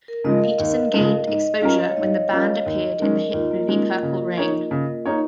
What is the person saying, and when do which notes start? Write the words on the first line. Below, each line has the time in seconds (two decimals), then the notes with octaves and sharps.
Peterson gained exposure when the band appeared in the hit movie "Purple Rain".
0.08 A#4
0.24 C#3 F3 G#3 D#5
0.42 F5
0.59 D#2
0.94 C#3 F3 G#3
1.27 G#2 D#5
1.62 F3 C#4 A#4 F5
1.88 C#5
1.97 G#2 D#5
2.31 F3 C#4 A#4 F5
2.65 D#2 D#5
2.99 D#3 G#3 C#4 A#4
3.33 D#2 F4
3.51 A#3
3.68 D#3 G#3 A#3 C#4
4.03 C#3
4.38 A#3 D#4 C#5
4.71 C#3
5.06 A#3 D#4 C#5